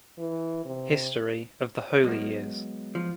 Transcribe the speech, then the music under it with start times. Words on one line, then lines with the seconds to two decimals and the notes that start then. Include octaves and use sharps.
History of the Holy Years.
0.18 E3
0.65 C3
2.04 F#3 G#3 B3
2.95 F3